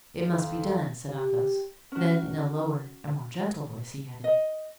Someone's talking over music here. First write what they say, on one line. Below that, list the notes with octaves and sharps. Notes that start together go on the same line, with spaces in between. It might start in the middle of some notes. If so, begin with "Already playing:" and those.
"It must be done," said Athos; then in a lower and more gentle voice, he added.
F2
G4
C#4 F#4
D#5